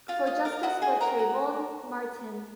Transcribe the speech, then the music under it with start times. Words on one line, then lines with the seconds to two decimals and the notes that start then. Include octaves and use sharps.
For justice for Trayvon Martin.
0.08 F4 F5
0.26 F4 D#5
0.45 A#4 F5
0.63 F#4 D#5 F#5
0.82 F#4 G#4 G#5
1.01 F#4 A#4 A#5
1.19 F#4